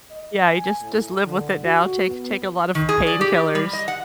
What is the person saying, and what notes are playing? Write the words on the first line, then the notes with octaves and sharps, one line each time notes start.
Yeah, he just just live with it now, take take a lot of painkillers.
D#5
G#5
A2
D3
F#4
B3
D#3
G#4
D5
G4
G3
D#5
F#5